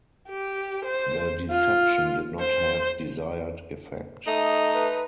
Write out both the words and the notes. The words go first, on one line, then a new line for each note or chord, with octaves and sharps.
The deception did not have desired effect.
G4
C5
F4
C5
A3 D#4 D#5
B4